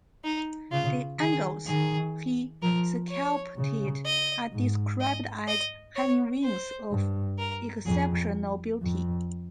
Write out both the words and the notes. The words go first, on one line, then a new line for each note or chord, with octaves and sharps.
The angels he sculpted are described as having wings of "exceptional beauty".
D#4
C#3 F4
D#3 G#4
D#3 G#4
F3 A#4
C#5
C#3
D#5
G#2
D#5
D#5
C#5
C5
G2
A#4
F2 G#4
F2